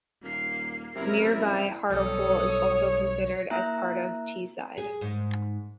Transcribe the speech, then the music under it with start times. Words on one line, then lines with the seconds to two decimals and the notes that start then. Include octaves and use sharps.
Nearby Hartlepool is also sometimes considered as part of Teesside.
0.22 D#1 A#3 C7
0.95 F#1 C3 E4 A#4
1.90 B1 F3 G3 A4 C#5 D#6
3.50 A#3 E4 E5 A#5 F#6
4.78 G#4
5.01 G#2